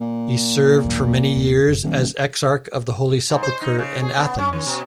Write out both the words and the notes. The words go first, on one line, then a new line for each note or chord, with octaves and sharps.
He served for many years as Exarch of the Holy Sepulchre in Athens.
A#2
B1 E2 G2
D#1 B3
F#1
D#1 D#3 F#3
G#2
C5
D#4
C#3
G#4
B3
C#4
D#3
B2